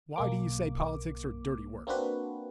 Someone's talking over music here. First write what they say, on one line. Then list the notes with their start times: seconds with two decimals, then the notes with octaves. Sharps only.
"Why do you say politics are dirty work?"
0.16 B1 A#3 D6
1.87 A#3 C4 D4 F#4 B4